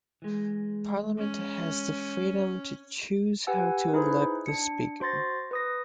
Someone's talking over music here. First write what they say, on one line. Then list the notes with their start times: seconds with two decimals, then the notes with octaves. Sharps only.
Parliament has the freedom to choose how to elect the Speaker.
0.22 E3 G#3
1.19 C#4
3.47 G4 B4 F#5 G#5 E6
3.93 D#4 E4 G#4 B4 C5
4.46 D4 C#7
5.00 F#4 C5 C6 A6 A#6
5.51 B4 D#6 A#6